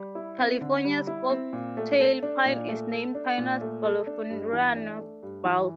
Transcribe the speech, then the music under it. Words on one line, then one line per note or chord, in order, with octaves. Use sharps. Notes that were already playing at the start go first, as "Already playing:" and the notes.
California's foxtail pine is named "Pinus balfouriana" Balf.
Already playing: G3
E4
C4
D3
G3
E4
C4
A#2
A3
A4
D4
A#2
A3
A4
D4
A#2
A3
A4
D4
G2
E3
D4
A3
G2
E3